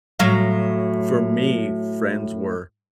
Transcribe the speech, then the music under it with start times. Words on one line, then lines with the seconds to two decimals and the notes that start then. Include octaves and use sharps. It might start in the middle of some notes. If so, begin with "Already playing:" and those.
for me, friends were,
0.19 A2 F#3 F5